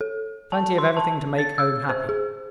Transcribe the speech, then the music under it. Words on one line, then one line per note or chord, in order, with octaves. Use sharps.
Plenty of everything to make home happy.
A4
A5
C6
A5
A6
E6
C5
G#4